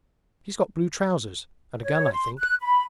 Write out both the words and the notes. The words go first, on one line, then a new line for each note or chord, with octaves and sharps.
He's got blue trousers, and a gun I think....
C#5
C6
F#6
B5